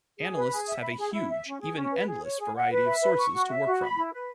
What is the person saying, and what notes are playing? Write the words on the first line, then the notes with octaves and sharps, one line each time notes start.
Analysts have a huge, even endless, variety of sources to work from.
G#4
B4
G#4
E5
B5
G#4
E4
E5
C#4
G#4
C#4
B4
G#4
C#5
G#4
F#5
B4
E5
B4
C#6
F#4
E5
F#4
B5
E4
B4